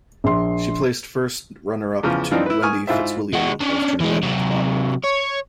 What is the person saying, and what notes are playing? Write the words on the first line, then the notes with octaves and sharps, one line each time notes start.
She placed first runner-up to Wendy Fitzwilliam of Trinidad and Tobago.
A#1 C6
E2 C#3 F3
E3 F3 C4 D4 D#4
E4 B4
G#5 C#6 D#6 F6
G#2 E4 F4 C5 E5
G#3 F#4
C#4 D4
E3 G#3
C3 F#3
C#5